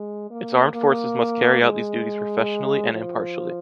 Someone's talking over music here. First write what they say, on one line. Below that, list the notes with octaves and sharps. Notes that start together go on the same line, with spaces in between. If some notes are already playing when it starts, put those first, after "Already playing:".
Its armed forces must carry out these duties professionally and impartially.
Already playing: G#3
A#3
A#3
G#3
F3